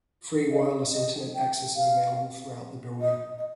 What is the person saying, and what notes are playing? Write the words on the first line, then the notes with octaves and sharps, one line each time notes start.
Free wireless Internet access is available throughout the building.
D#5
D#5
G5
F5
D#5
D#5